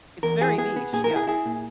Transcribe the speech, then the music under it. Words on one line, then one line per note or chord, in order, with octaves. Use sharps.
It's very niche, yes.
E2 A#4
E4 G#4
B3 G#4
B3
A#2 G#4
A#4
E4
G#4
E4 G#4
A#2